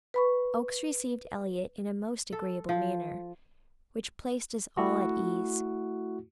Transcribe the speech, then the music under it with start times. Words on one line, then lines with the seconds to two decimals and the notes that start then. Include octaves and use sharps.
Oakes received Elliott in a most agreeable manner, which placed us all at ease.
0.14 B4 B5 C#6
2.33 A4
2.69 F3
4.78 A3 E4 F#4